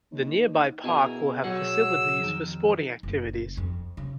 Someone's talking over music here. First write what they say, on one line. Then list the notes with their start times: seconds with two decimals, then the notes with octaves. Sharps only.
The nearby park will have facilities for sporting activities.
0.11 D#2
0.84 B2 E4 G#4 A#4
1.44 B1 F#3 G#4 F#5 E6
2.20 F2 D#3
3.03 F#1
3.57 F2
3.97 C#3